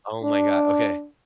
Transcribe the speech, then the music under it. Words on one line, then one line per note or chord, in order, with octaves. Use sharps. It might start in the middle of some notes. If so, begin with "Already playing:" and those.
Oh my god. Okay.
D4